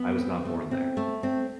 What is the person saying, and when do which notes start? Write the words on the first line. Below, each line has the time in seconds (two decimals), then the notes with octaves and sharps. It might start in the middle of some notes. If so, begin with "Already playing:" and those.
I was not born there...
Already playing: B3
0.18 C4
0.45 A3
0.71 C4
0.97 A3
1.23 C4